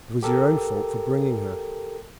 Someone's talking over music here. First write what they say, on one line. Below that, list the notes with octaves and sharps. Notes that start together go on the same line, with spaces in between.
It was your own fault for bringing her.
G4 A4 A#4